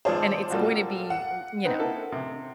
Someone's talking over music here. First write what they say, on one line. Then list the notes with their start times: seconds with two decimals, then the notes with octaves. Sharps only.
and it's going to be u you know,
0.05 G#1 F4 G#4 C5 D5 A5
0.50 A#2 G3 F4 F#4 A4
1.10 F#5
1.65 C4 D#4 B4
1.79 A#3 E4 A4
2.12 C3